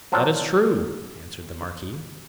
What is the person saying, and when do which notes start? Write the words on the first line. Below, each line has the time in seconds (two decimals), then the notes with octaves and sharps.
"That is true," answered the marquis.
0.12 F3 F#3 C4 D4 F4